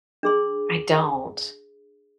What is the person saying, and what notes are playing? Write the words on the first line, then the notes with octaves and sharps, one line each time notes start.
I don't.
D4 G#4 C6